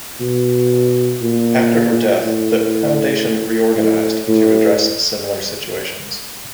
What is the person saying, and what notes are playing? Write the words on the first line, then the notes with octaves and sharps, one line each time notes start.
After her death, the foundation reorganized to address similar situations.
B2
A#2
A2
A2
A2